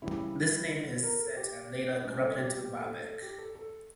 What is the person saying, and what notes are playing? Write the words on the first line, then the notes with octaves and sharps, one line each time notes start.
This name is said to have later corrupted into Waubach.
C#3 E3 G3 E4
A#4
A4
G4
A#2 G3 C#4
A4
G4
G4
A4
A4
G4
A4
A4